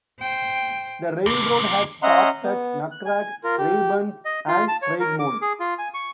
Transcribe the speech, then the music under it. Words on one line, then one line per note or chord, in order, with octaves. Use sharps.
The railroad had stops at Nucrag, Reubens, and Craigmont.
C5 G5
D#2 C3
C#4 D#5 E5 F#5 A#5 C6
B3
F#6
G#5
F4 A#4
G4
D#5
F4
A5
C#5
A#4
D6
G#4
F4
G#5
C#6